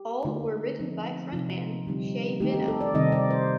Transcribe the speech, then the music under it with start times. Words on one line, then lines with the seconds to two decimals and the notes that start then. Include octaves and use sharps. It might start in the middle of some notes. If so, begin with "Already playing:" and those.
All were written by frontman Shay Veno.
Already playing: G4
0.25 D3 A3 D#4
0.79 F3 C4 D#4
1.32 C3 F3 C4 D#4 F4
1.87 D3 G3 C4 D#4
2.40 D#3 A3 C4 D#4 G4
2.54 G4
2.68 A4
2.81 D5
2.94 C3 D#3 G3 C4 D#4 D#5
3.12 D5
3.30 C5